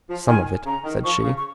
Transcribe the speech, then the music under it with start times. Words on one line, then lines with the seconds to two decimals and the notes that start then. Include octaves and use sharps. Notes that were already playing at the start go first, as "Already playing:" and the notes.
"Some of it," said she.
0.08 F3
0.27 D#3 G#5
0.65 C#3 A#5
0.84 D#3
1.04 F3 C#6
1.22 C#3
1.37 C#6